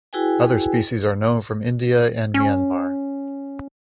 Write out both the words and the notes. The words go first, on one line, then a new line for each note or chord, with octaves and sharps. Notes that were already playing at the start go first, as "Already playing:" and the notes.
Other species are known from India and Myanmar.
E4 F#4 G#4 B4 G5 G#5
C#4